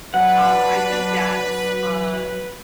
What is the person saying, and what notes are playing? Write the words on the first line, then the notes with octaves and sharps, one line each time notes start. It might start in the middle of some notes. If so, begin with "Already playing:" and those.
Um, I think that's uh,
F#3 D4 B4 F#5